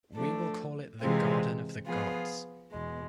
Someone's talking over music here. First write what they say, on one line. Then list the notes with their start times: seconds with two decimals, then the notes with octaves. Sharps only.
We will call it the Garden of the Gods.
0.14 F3 A3 D4 A4
1.01 C3 E3 G#3 C4 F4
1.86 F3 B3 F4 G#4
2.72 E2 B2 G#3